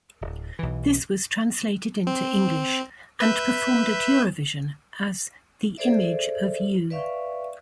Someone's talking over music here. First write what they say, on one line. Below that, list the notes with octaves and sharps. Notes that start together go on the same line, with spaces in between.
This was translated into English, and performed at Eurovision as "The Image of You".
D1
B1 E3
C4
B4 E5 G6
G#4 A4 C5 D5 E5
B4 D5 E5 F5 C#6